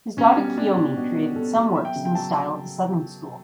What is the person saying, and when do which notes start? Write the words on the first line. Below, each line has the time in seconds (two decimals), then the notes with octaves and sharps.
His daughter Kiyomi created some works in the style of the Southern School.
0.17 B2 C#4
0.37 G3
0.57 G3 D4
0.77 B2
0.96 B2 F#4
1.16 G3
1.35 B2 A4
1.56 B2
1.75 F#3 E5
1.85 G5
1.96 C#3
2.05 G5
2.15 F#3 A5